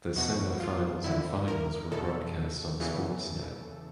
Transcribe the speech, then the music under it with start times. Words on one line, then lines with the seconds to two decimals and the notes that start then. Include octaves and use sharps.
The semifinals and finals were broadcast on Sportsnet.
0.16 E2 B2 F#4
0.60 F4
1.04 F2 D3 E4
1.48 A#4
1.92 E2 B2 A4
2.80 E2 C#3 E3